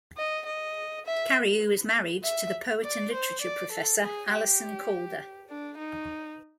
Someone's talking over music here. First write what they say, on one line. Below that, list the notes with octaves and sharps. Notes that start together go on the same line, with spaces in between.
Cariou is married to the poet and literature professor Alison Calder.
D#5
D#5
E5
E5
D5
C5
D5
A4
G#4
G4
D4
D#4